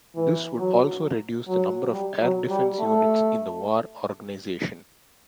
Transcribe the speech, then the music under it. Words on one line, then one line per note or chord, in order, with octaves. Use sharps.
This would also reduce the number of air defense units in the war organization.
E3
F#3
F#3
G3
F#3
G3
A3